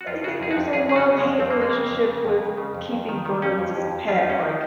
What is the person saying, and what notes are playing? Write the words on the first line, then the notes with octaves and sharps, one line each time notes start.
I think there's a love-hate relationship with keeping birds as a pet, like
F#4
F2 F4
C#3 F#4
G#4
F2 G#4
F#4
F2
F2 G#4
C#3 G#4
F#4
C#3
G#3
F2
F2 C4
A#3
F2 G#3
C#3 A#3
F2
C#3
F2
C#3
C#3
F2
F2
D#3
D#3
F2 C#4
F2
F2
F2
F2 F4
D#4
F2 C#4
D#3 D#4